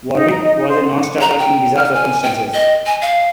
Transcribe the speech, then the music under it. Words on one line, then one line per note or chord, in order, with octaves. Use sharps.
Warwick was a non-starter in bizarre circumstances.
D#4
A#5
D#5
D#4
C5
F#5
F#5
A#5
G5
F6
G#5
G5
D#5
G#5
F5